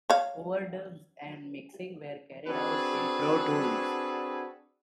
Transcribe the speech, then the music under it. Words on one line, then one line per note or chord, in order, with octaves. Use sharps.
Overdubs and mixing were carried out in Pro Tools.
C#5 F5
C4 D4 F#4 G#4 A4 B4